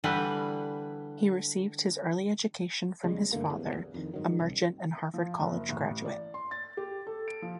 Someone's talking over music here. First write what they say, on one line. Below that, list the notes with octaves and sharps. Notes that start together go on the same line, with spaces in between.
He received his early education from his father, a merchant and Harvard College graduate.
D3 E3 G3 B4
E2 C#3 G3 G#3
G2 D3 A3 A#3
D1 A1 E2
F2 D#3
G#2 D#3 F#3
C2
F3
F#1
A1
D5
C6
A6
G4
A4
D7
F3